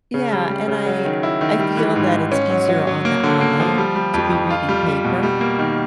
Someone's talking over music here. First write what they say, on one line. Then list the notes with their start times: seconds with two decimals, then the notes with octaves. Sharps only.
yeah, and I I feel that it's easier on the eye to be reading paper.
0.14 C#3
0.32 G3
0.50 G3
0.68 C#3
0.86 F#3
1.05 D#3
1.23 E4
1.41 D#3
1.59 G3
1.77 E3
1.96 G#2
2.14 G#2
2.32 C#4
2.50 F#3
2.69 F#3
2.87 F#3
3.05 A#3
3.23 D3
3.41 A#3
3.60 F3
3.78 G3
3.96 G3
4.14 F2
4.32 F2
4.50 F4
4.69 G3
4.86 G3
5.04 B2
5.23 G3
5.41 A#3
5.59 D#3